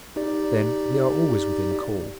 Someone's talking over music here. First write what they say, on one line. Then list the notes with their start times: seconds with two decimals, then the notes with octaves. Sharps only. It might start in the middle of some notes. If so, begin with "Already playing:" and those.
Then, we are always within call.
0.16 D#4 G4 D5